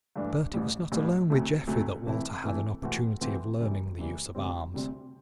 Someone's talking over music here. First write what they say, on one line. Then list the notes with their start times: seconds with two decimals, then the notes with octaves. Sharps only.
But it was not alone with Geoffrey that Walter had an opportunity of learning the use of arms.
0.16 G2 E3 A3 D4
0.53 A1 A2 G3
0.92 A1 A2 G3
1.30 D2 C3 F#3 A3
1.67 D2 C3 F#3 A3
2.06 C3 E3 A3 E4
2.44 C3 E3 A3 E4
2.82 C3 E3 A3 C4 F#4
3.21 C3 E3 A3 C4 F#4
3.59 F#1 F#2 E3 G3
3.97 F#1 F#2 E3 G3
4.35 D2 C3 G3 C4
4.74 D2 C3 G3 C4